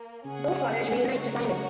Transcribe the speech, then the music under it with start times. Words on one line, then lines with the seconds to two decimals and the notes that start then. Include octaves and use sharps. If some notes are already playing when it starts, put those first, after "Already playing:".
Both fathers reunite to find him.
Already playing: A#3
0.25 C#3 C#4 G#4 F#5
1.16 C#3 D#4 F#4 A#4 C#5